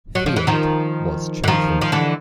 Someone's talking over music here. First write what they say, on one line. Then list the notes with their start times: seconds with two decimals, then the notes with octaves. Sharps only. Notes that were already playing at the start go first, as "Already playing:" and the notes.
Field was chosen.
0.15 F#3
0.26 F3
0.36 E3
0.47 D#3 F3
1.44 E3
1.48 D#3 F3
1.81 F3
1.92 D3 E3